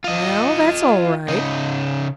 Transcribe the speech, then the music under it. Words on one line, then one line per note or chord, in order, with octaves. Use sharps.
Well, that's all right.
F4 D#5
C#3 D#4